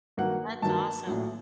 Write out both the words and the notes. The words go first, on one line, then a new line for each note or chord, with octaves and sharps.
That's awesome.
G2 D#3 F#3 A#3 F#5
G2 D#3 F#3 A#3 A5
A#1 A2 F#3